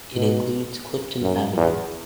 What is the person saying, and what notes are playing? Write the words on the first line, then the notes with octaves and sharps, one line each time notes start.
It includes Clifton Avenue.
B2
F#2
E2